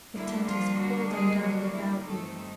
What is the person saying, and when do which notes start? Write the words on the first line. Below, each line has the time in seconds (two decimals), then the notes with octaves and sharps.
The tent is cold and dark without you....
0.14 D3 G3 A#3 D4 E4
0.47 F3 F4
0.78 F#3 F#4
1.10 G#3 G#4
1.41 F#3 F#4
1.73 E4
2.04 G2 D#3 G3 A3 C4 D#4 A4